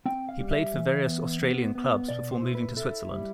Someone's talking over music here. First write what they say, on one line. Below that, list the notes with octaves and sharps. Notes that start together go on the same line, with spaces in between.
He played for various Australian clubs before moving to Switzerland.
C4 G5
F5
G3
E5
E3
B3
B3
B3
B2 D5
C5
E4
B4
E4 A4
G3